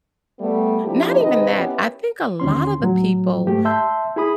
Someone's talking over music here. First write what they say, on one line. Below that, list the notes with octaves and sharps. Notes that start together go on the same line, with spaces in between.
not even that I think a lot of the people,
G3 A3 B3
C3 F3 A#3 D4 E4 G4
G#2 C3 D#3 B4 D#5
B3 C#4 E4 G4 A#4 B4
D#2 D3 C#4 C6
A2 F#3
G#2 A3 G4
E5 A5 C6 E6 G6
E4 G#4 B5 D#6